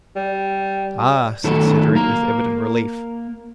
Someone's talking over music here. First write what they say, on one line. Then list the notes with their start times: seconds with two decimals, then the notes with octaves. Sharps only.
"Ah!" said Cedric, with evident relief.
0.16 G3
1.44 D#3 F#3 A3 A4
1.95 A#3 A#4